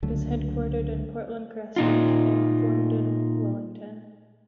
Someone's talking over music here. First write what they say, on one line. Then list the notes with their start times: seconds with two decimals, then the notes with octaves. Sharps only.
It is headquartered in Portland Crescent in Thorndon, Wellington.
0.02 C#2 D3 F#3 A3
1.76 A#2 D#4 F4